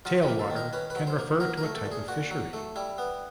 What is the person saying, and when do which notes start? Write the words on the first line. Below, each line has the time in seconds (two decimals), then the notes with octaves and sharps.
Tailwater can refer to a type of fishery.
0.05 F#3 F4
0.22 G4
0.28 A#3
0.39 A4
0.50 D#3
0.56 A#4
0.73 C#4 B4
0.90 B4
0.96 F#3
1.07 C5
1.18 A#3
1.40 F#3 A#4
1.57 A#4
1.63 A3
1.75 A4
1.86 A#2
1.92 G#4
2.08 A#2 F#4
2.31 F#3
2.53 A3
2.76 G3 E4
2.98 B3